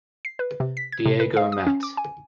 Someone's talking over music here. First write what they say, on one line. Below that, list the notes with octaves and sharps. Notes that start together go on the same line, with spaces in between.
Diego Mat.
C7
B4
C3
B6
G#6
C3
B4
F5
D#6
C#4
D6
G#5